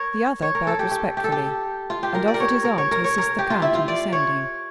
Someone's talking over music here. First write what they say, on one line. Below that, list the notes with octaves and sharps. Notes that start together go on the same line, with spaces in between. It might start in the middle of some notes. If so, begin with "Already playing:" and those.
The other bowed respectfully, and offered his arm to assist the count in descending.
Already playing: A#4 C#5
C#5
A#4
A4
G4
G4
G4
A4
G4
F4
G4
A#4
D5
A#4
C#5
A#4
C#5
A#4
C#5
A#4
G4
F4
E4
F4
D5
C#5